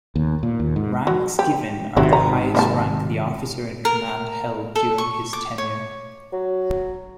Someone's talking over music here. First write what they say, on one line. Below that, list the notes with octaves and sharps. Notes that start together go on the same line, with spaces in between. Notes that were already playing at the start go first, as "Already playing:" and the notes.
Ranks given are the highest rank the officer in command held during his tenure.
D#2
A#2
D#2
G#2
F#3
G4
G#1 C3 D#3 F#3 E4
A#5
A#3 E5 A5
A#4
A4
C#6
D6
C#5
F#3